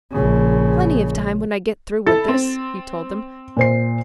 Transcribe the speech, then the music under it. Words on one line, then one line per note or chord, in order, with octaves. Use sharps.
"Plenty of time when I get through with this," he told them.
A#1 C#3
E4 A4 A6
C4
A#2 C5 C7